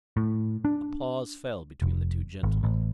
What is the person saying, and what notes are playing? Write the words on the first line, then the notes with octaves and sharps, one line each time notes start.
A pause fell between the two gentlemen.
A2
D4
F1
G#1
A1